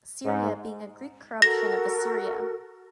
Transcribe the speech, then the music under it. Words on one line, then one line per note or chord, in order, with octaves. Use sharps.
Syria being a Greek corruption of Assyria.
G#2
F#4 A4 A#4 A#6